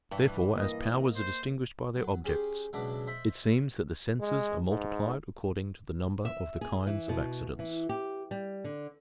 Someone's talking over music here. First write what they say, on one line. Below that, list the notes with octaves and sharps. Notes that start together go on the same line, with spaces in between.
Therefore, as powers are distinguished by their objects, it seems that the senses are multiplied according to the number of the kinds of accidents.
G2 E3
A#3 D#5
C5
F#3
C#4 G4 G#4 C5 G5
C#2 B2 F#3 D4 E5 D6
C5 D#5 E5 B5
G#3
G#2
E5
G#4
E3
B2
E3
G4
G3
D3